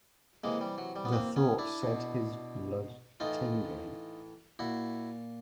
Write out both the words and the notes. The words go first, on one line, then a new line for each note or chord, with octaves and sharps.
The thought set his blood tingling.
C3 E3 G#3 A#3
G3
F#3
G3
B3
A#3 C4
B3 C#4
D4 E4
B2
A2 E3 D#4 F4
A#2 E4 F#4